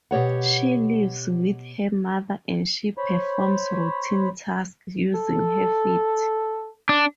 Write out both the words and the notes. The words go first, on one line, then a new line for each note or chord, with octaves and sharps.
She lives with her mother and she performs routine tasks using her feet.
B2 G4 C#5 F#5
C5 C#5 B5
A4
D4